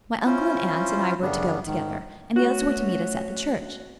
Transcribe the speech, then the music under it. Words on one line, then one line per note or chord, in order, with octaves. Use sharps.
My uncle and aunt and I were to go together; and the others were to meet us at the church.
C#4 E4 F4 C5
F#2 C#3 G3 B3 D4
G#2 D#3
A3 C#4 F#4